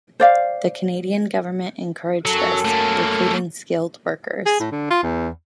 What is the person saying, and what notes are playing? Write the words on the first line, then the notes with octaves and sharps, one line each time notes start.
The Canadian government encouraged this, recruiting skilled workers.
C5 D5 F5
F#2 F#3 A4
A3 A#3
G#4
A2
D3
F4
E2